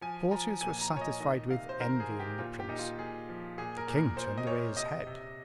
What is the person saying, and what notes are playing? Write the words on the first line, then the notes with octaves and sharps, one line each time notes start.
The courtiers were satisfied with envying the prince.--The king turned away his head.
F3 G#5
F3 A#5
A#2 G#5
A#5
A#2
C#5
D#5
D#3 D#5
C3 F5
C5
D#3 A#4
G#4
D#3
G4
A#2 F4
G4
A#2 D#4
F4
A#2 G#4
F3
A#2 G#4
A#4
A#2
A#4
A#2 C5
D#5
A#2 C#5
C3 D#5
C3